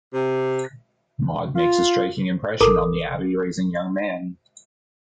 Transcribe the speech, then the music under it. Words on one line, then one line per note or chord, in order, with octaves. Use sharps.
Maude makes a striking impression on the abbey-raised young man.
C3
F4
G#1 A4 A#4 D6 D#6